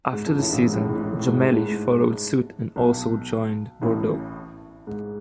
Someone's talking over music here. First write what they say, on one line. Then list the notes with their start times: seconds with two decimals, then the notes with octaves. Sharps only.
After the season, Jammeli followed suit and also joined Bordeaux.
0.13 G#2
0.26 F2
0.39 A1 A2
0.53 A1 A2
0.66 G#2
0.73 A2
0.80 G#2
0.88 A2
0.96 G#2
1.04 A2
1.11 G#2
1.19 A2
1.26 G#2
1.33 A2
1.41 G#2
1.49 A2
1.57 G#2
1.72 G#2
2.76 B1 B2
3.81 A1 A2
4.87 G#2